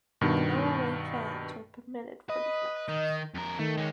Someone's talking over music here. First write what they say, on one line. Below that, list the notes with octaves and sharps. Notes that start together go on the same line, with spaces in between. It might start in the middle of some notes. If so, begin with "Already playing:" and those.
No away fans were permitted for these matches.
G2 B2 D#3
B4 D#5
D#3
F2 A#4
D#3 A3
G#3 C#4